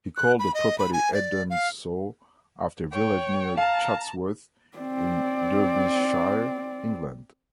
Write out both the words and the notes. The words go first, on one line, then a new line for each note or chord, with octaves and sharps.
He called the property Edensor, after a village near Chatsworth in Derbyshire, England.
F#6
B5
D#5
B5
G#5
D5
F5
C#5 G5
F5 A5 A#5
C4 D5